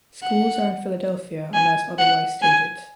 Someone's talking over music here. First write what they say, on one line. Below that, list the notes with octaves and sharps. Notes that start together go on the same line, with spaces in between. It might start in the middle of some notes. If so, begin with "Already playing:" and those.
Schools are in Philadelphia unless otherwise stated.
F#5
G#5
F#5
G#5